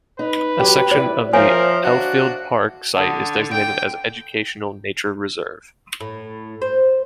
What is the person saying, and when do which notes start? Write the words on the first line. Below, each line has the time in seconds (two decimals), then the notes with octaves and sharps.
A section of the Elfield Park site is designated as an educational nature reserve.
0.19 D#4 B4
0.59 F#3 G4
0.91 E4 C5 D5
1.33 F3 A#4 C5 C#5 E5 F5 G#5
1.84 D4 F#4
2.96 D3 F#5 A5 D#6
3.52 G5 D7
6.00 A2
6.62 C5